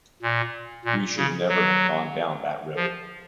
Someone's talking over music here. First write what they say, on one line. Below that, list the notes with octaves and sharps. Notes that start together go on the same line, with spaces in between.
We should never have gone down that road.
A#2
A#2
C#3
F#3
F3